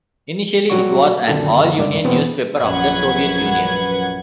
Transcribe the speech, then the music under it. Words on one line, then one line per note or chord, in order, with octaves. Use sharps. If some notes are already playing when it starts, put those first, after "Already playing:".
Initially it was an all-Union newspaper of the Soviet Union.
A#2 F#3 G3 F#4 C#6
F#2 A#2 D3 D#3 A4
C#2 G2 D5
E2 B2 E3 B3 C4
A#1 F#2 B4 F#5 G#6